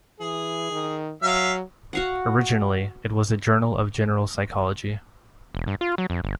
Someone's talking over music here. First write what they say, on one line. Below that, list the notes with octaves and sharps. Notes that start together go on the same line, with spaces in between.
Originally it was a journal of general psychology.
E3 G#4
D#3
F#3 E5 F5
F#4 F5 F#5
E1
G2
F4
F#3
F2
G1